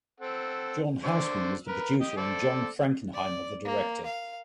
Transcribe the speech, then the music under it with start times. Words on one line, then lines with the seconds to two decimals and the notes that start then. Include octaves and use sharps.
John Houseman was the producer and John Frankenheimer the director.
0.20 C4 A4 F#5
1.04 D3 C5 D5
1.68 A#4 B4
2.01 G4 D#5
2.17 A4 C5 D5
3.13 D5
3.65 A#3
4.06 F5